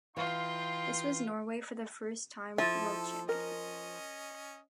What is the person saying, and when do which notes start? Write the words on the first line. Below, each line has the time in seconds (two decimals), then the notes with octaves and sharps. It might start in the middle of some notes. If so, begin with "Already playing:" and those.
This was Norway for the first time world champion.
0.17 E3 D#4 F4 F5 G5 C6
2.58 F3 E4 A4
3.29 C#4 A#4 D#5